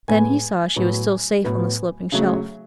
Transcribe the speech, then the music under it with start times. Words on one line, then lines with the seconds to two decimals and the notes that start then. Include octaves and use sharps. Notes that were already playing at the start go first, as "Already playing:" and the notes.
Then he saw she was still safe on the sloping shelf.
0.08 A2 G#3 B3 G#5
0.76 A2 F#3 B3
1.44 A2 F#3 B3
2.12 C#3 F#3 A3